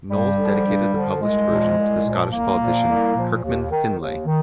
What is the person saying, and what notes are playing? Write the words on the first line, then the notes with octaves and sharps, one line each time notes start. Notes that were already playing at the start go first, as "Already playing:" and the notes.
Knowles dedicated the published version to the Scottish politician Kirkman Finlay.
G2 G3
D3 F3
G2
D3 F3
C2 G#3
A#2 F3
C2
A#2 F3
C2 A#3
A#2 F3
C2
A#2 F3
D#2
D#3
D#2
D#3